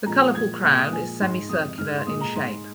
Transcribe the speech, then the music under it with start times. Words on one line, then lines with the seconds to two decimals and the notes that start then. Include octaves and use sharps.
The colourful crown is semicircular in shape.
0.06 A#2 F3 G#3 A#5
0.20 D#6
0.35 A#2 F3 G#3 G#6
0.63 A#2 G#3 F6
0.77 D#6
0.92 A#2 F3 G#3 G#5
1.21 G#2 G#3 C6
1.49 F2 C3 G#3 D#6
1.78 G#2 G#3 F6
1.98 C6
2.07 A#2 G#3 D#6
2.21 A#5
2.36 G#2 G#3 C6